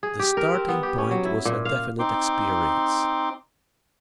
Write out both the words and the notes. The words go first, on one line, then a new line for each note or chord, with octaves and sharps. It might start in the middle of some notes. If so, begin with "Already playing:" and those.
The starting point was a definite experience.
G#4
G4
A#4
C4
B3
G4
C#4
F#3
E4
A#2
F5
C4 D#4 C6 D6